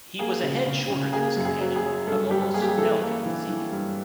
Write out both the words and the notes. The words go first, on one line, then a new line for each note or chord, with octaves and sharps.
He was a head shorter than his companion, of almost delicate physique.
A#3 G#4
C#3
C#3
C#3
A#3 G#4
F#2
G#4
F#3
G#4
F#3
G2 A4
G3 G4
A#3 G#4
G4
G#4
E3 A4
A#3
E3
E3
G2